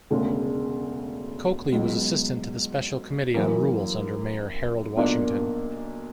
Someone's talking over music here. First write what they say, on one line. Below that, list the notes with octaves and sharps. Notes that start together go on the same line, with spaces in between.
Cokely was assistant to the special committee on rules under Mayor Harold Washington.
E1 D2 C#3
C#2 B2 F#3
F#2 E3 A#3
B1 A#2 A#3 D4